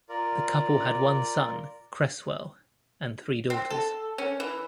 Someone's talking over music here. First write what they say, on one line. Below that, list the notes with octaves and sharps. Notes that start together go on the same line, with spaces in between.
The couple had one son, Cresswell, and three daughters.
F4 A#4 D5
C4
A4
C#4
E3